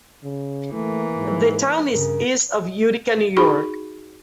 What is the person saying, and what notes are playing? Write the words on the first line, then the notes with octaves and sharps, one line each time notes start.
The town is east of Utica, New York.
C#3
E3 A3 A#3
G#2
G2 C#3 A#4
D#4 F#4 G#4 B5 C#6